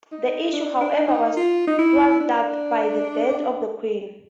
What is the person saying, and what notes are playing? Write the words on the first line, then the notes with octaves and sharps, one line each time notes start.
This issue, however, was thwarted by the death of the Queen.
D#4
D4
D4
D#4
F4
D#4
E4
D4